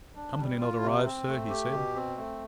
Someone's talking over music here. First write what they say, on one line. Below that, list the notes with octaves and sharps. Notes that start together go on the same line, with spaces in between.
"Company not arrived, sir," he said.
D4
G3
F4
C3
C4
A3
G4
B2
C4
A3